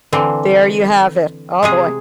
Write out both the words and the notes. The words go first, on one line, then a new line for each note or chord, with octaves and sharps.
There you have it. Oh, boy.
D3 E3 C4
C3 G#3 G#4